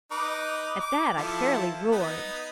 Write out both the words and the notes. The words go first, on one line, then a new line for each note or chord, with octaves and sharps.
At that I fairly roared.
D#4 B4 D6
D6
F3 E4 A4
B3 D#4 B5